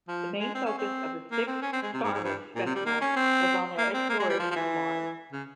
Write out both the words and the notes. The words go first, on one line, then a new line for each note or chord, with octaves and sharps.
The main focus of the sixth Starmus Festival was on the exploration of Mars.
F3
G#3
C4
C#4
C4
A#3
C4
C#4
C4
G#3
C3
G#2
G#2
G2
A#2
C3
G3
A#3
C#4
C4
A#3
C4
A#3
G#3
G3
F3
F3
E3
C#3